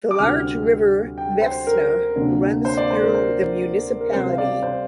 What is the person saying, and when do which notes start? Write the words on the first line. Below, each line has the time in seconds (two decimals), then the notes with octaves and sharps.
The large river Vefsna runs through the municipality.
0.11 D6
0.19 D2 C3 G3 C4 F6
1.18 G5
1.42 C5
1.67 A#4
2.16 D2 C3 A#3 D4
2.65 C5
2.77 D5
2.91 C5
3.02 A#4
3.15 C5
4.01 A#4
4.13 C3 G3 C4 C5
4.29 F5
4.38 D5
4.62 C5